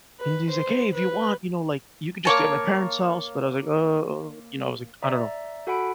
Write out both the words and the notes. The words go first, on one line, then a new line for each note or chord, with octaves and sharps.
and he's like, "Hey, if you want, you know, like, you could just stay at my parents' house," but I was like, "Oh," you know, I was like, "I don't know."
B4
C5
B4
A#3 C#5 A5
D5 E5 A#5
F#4 A4 F#5 G#5 B5 D7